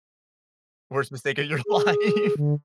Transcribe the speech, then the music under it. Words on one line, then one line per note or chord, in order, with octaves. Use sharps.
Worst mistake of your life.
G#4
D3